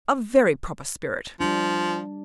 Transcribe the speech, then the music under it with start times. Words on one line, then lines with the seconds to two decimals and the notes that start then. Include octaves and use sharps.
A very proper spirit!'
1.40 F3 G3 D4